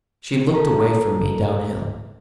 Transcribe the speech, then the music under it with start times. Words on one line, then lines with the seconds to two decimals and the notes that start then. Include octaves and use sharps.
She looked away from me downhill.
0.54 A4 A#5